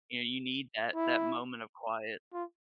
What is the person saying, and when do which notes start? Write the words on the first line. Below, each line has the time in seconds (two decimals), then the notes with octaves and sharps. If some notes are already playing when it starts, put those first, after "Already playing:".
You know, you need that that moment of quiet.
0.95 E4
2.33 F4